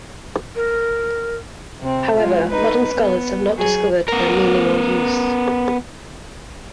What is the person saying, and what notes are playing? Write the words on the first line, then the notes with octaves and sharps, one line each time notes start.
However, modern scholars have not discovered their meaning or use.
A#4
C3 C4
G#3 F4
D#4 B4
B3
F#3 G#4
B3 A#4